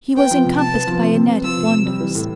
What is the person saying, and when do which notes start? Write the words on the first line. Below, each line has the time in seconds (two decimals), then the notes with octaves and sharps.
He was encompassed by a net of wonders.
0.17 B3 G5
0.31 F3
0.45 C3
0.59 C3 A5
0.74 B3
0.87 F3
1.01 C3
1.15 C3
1.30 B3
1.44 F3 E6
1.58 C3
1.72 C3
1.86 G3
2.00 E3
2.15 A2